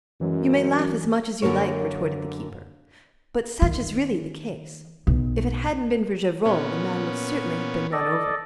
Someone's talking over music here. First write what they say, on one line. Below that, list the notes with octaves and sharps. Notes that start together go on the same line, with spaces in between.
"You may laugh as much as you like," retorted the keeper, "but such is really the case; if it hadn't been for Gevrol the man would certainly have been run over."
F#2 E3 F#3 G#3
F#2 D3 A#3 A#4 C#5
D#3
B1
A#2 B3 C#4
A4 D5 D#5